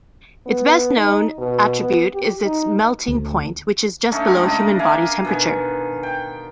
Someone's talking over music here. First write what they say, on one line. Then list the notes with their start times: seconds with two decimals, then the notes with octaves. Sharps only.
Its best-known attribute is its melting point, which is just below human body temperature.
0.46 B3
0.97 D#4
1.38 B2
1.81 B3
2.13 G4
2.45 D#4
3.08 D2
4.12 D3 A3 C#4 D#4
4.27 G#3 A3 G4 A#4
4.43 C#3 D4 D#5
4.79 E5 F5 G#5 D6
5.25 B2 D3 D#3 G#5
6.03 G5